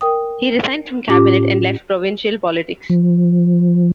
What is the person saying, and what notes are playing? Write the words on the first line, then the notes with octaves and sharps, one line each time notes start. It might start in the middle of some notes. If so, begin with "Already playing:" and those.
He resigned from cabinet, and left provincial politics.
A#4 G5 D#6
A2 C#4 F4 G4 D6
F3